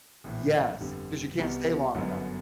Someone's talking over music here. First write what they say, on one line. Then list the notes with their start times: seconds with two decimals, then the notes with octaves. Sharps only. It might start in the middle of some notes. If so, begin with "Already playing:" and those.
Yes, 'cause you can't stay long enough.
0.24 A#1 A2 E3
0.81 G1 F2 D3 G3
1.38 C2 B2 G3 B3
1.95 G1 F#2 D3 F#3 B3